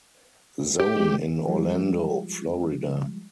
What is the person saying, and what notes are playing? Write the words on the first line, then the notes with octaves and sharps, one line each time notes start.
Zone in Orlando, Florida.
G4
G#3
F3 G3 G#3